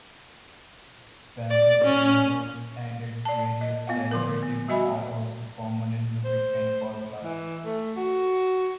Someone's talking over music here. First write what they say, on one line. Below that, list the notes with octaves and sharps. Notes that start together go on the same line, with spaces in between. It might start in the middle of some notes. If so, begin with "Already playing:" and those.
Benzotriazole and its various derivatives are also common in lubricant formulas.
D5
C#4
D5 A5
D#5
B3 F4 F5 F#5
D3 F3 A#4
B3
G3 F#4 D#5 E5 G#5 B5
C5
E3
A3
F#4